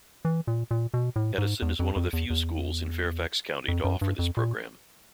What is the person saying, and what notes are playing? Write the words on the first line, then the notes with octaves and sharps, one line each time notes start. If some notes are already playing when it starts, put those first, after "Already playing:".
Edison is one of the few schools in Fairfax County to offer this program.
E3
A#2
A#2
B2
A2
G#2
E2
F2
F2
E2
E2
F2
F#2
G2
F2
A#2